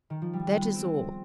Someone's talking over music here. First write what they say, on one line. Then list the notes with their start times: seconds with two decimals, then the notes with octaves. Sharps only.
That is all.
0.10 D#3
0.22 F3
0.33 G3
0.47 G#3
0.61 B3
0.74 C4